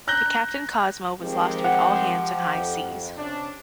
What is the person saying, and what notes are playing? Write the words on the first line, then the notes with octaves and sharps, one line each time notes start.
The "Captain Cosmo" was lost with all hands in high seas.
A#5 F#6 G6 A#6 G7
D#3 F3 G#3 C4 G4
F#5
F2
C3 C#4 D4